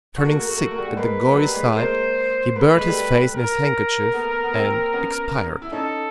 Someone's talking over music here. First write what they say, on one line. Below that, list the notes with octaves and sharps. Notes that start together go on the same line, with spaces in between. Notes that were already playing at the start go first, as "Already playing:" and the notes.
Turning sick at the gory sight, he buried his face in his handkerchief and expired.
A3 F#4
A#3
A3
A#3
A3
A#3
A3
A#3
G3 A3
A3
G#3 A#3 B4
F#3
G3
G#3
A3
G#3 A#3 C5
A#3 B4
A3
G#3
G3 A3
A#4
A#3
A3 B3
B3
A#3 C4
B3 C#4
E4
C#4 D#4 A4